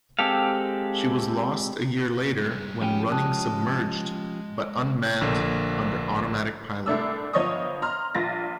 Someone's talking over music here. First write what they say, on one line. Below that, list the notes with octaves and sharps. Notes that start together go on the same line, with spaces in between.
She was lost a year later when running submerged but unmanned under automatic pilot.
G#3 C4 G4 A4 F5
G2 G#3
F3 C#4 G4 F#5 G5 B5
G#3 A5 D#6 F#6
A#1 D3 A#3
C2 A3 D4 E6
G1 F3 C#5 D#5 C#6 D#6
A#5 C6 F6
A#1 F4 A6 A#6